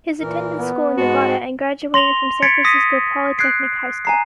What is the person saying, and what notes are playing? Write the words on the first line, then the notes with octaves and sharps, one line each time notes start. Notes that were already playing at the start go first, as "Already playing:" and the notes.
His attended school in Nevada, and graduated from San Francisco Polytechnic High School.
A#2 E3 A#4
B3
G#2 G#3 F#4 A5
C6 A#6 F7 G7
C6 G#6 A6 B6 C#7 D7
D#6 A#6 B6 C#7 D#7
F#6 G#6 C7 D7
G#5 A#5 C7